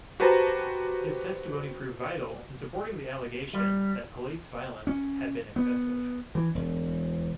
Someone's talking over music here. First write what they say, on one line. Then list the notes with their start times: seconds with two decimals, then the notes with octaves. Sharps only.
His testimony proved vital in supporting the allegation that Police violence had been excessive.
0.20 F#4 G4 B4 C5 A5 A#5
3.53 G3
4.87 C#4
5.56 B3
6.35 E3
6.55 E1